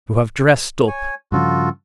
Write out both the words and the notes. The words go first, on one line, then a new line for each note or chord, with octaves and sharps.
You have dressed up.
C#5 G#5
G2 C#3 F3 F4 F#4 A4